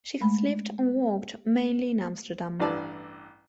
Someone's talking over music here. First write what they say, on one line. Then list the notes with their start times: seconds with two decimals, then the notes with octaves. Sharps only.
She has lived and worked mainly in Amsterdam.
0.21 G#3 A3 B5
2.60 A1 G2 E3 D5 A5